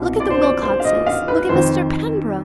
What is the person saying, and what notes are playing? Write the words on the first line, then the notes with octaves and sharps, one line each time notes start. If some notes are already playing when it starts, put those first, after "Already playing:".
Look at the Wilcoxes, look at Mr. Pembroke.
Already playing: C2 B2
D5
C5
D5
C5
F5
D#5
F5
B4
F2 D#3 C5